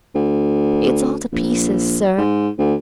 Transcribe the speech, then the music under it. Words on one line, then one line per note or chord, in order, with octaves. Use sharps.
'It's all to pieces, sir.
D2
A#1
G#2
D2